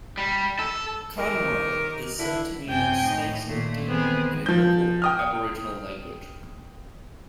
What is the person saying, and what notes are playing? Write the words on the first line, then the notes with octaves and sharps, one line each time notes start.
"Kanwal" is said to mean "snakes indeed" in a local Aboriginal language.
G3
A4
D#3 D#4 G4 A#4
D3 E4
F#2 C3 G5 G#5 G6
A2 D#4
A#2 D#3 A3
D#3 E3 B3 C4 G#4
F3 G6
G5 D#6 F6